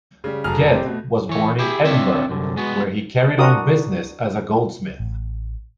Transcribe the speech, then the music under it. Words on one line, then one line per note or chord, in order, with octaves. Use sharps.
Ged was born in Edinburgh, where he carried on business as a goldsmith.
C#3 G3
F1 F#3 G#4 A4 A#5 F6
C4 G4
B2 A3
E3 C#5
E4 G4 G#4
C4 D4 F4 C#5 E5
C2 F#2 D3
G#3 B3 F#4
D4 F#4 A#4 D#6
A1